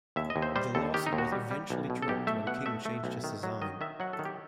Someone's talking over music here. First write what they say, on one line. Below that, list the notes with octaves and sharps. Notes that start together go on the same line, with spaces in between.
The lawsuit was eventually dropped when King changed his design.
D#2 E5
D#5
D#2
C5
G3 C5
D#2 A4
D#3 G4
D#4
D#2
F#4
G3
G3
B1
B2
A4
B1 G4
A3 E5
B2 F#5
A3 E5
A3
B1
D#3
F#3
D#3 D#5
D#3 E5
F#3 F#5
A4
D#3
G4